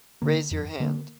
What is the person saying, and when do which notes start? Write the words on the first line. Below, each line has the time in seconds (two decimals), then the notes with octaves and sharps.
Raise your hand.
0.22 D3 A#3
0.51 F2
0.80 D3 A#3